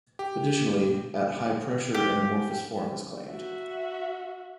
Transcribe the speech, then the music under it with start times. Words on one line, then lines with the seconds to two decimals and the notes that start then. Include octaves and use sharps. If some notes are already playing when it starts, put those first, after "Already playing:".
Additionally at high pressure an amorphous form is claimed.
0.19 G4
1.94 G4
3.31 F#4 E5